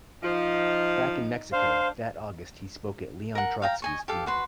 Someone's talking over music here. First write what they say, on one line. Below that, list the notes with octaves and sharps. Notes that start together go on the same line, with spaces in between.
Back in Mexico, that August he spoke at Leon Trotsky's funeral.
F3 D#4
D4 C5 F5
A#4 F#5
F5 G5 A#5
D#5 G#5 C#6
G4 A4 F5
F#4 B4 C6